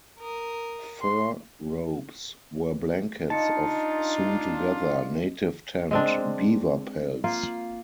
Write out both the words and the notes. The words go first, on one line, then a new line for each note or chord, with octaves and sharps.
Fur robes were blankets of sewn-together, native-tanned, beaver pelts.
A#4 D#6
C6
D4 D#4 F4 D#5 A5 C#7
G#3 C4 D4
A#3 F4